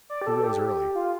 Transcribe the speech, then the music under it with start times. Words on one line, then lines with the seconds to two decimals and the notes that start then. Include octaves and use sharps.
He rose early.
0.10 D5
0.22 G4
0.27 A4
0.37 A4
0.44 G4
0.95 F4